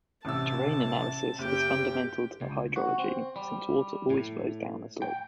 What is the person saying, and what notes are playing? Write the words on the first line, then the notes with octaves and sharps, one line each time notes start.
Terrain analysis is fundamental to hydrology, since water always flows down a slope.
A1 C3 A5 E6
F#1 G4 G5
C#2
F#4
C4
G3
A2
G5